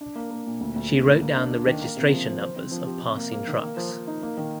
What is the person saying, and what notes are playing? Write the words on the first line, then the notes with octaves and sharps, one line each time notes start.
She wrote down the registration numbers of passing trucks.
D4
A#3
A#3
A#2
D2
D2
D3
D3
A#3
D4
D4
D#3
A#3
C3
F3
F3
C5
C4
F3
G4
C3
A#3
A#3
D#3
A#3
F3
F3
D#4
A#3
D#3